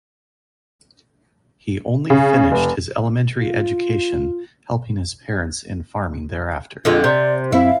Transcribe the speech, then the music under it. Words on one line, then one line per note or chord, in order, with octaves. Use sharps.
He only finished his elementary education helping his parents in farming thereafter.
C#3
F1
F4
F2 D3 G#3 F4
C3 D5 G6
F#2 C4 E4 F5